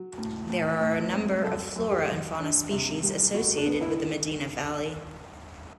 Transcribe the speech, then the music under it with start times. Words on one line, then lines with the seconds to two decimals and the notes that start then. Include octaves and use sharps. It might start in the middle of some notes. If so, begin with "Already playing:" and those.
There are a number of flora and fauna species associated with the Medina Valley.
Already playing: F#3
0.18 A2
0.50 A2
0.81 A2
1.13 C4
1.44 F#2 A4
1.76 F#2
1.91 G4
2.08 F#2
2.40 D4
2.71 C3
3.03 G3
3.34 B2 F#4
3.57 D4
3.67 B3
3.81 E4